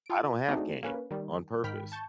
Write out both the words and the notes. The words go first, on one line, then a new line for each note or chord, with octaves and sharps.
I don't have game, on purpose,
F4 D7
A3 C4 D4 D#4 F#4 G#4
A#3 C#4 B4
D#3 G3
G#2 D#3 G5 B5 F6 B6
A5 C#6 G6